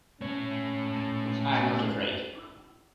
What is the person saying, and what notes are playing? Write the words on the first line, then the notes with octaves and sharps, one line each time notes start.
I am not afraid.
A3 C#4 C#5